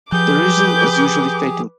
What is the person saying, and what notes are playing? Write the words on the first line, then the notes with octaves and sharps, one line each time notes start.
The result is usually fatal.
F3 G4 G#4 B4 D6 G6